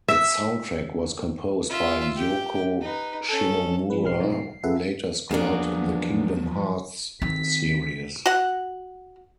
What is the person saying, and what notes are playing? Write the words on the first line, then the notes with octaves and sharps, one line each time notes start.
Its soundtrack was composed by Yoko Shimomura who later scored the "Kingdom Hearts" series.
E5
F4 E5
G4 G5
D#4 B4
C#4 A4
F3 G#3 C4 B4
B1 G#2 G#3 F6 C7
B2 F#3 D#4
C7
F4 G#4 A4 B4 E5 F#5
E2 F3 F#3 A#3 B3 D4
D#3 C4 B6
F#4 F#5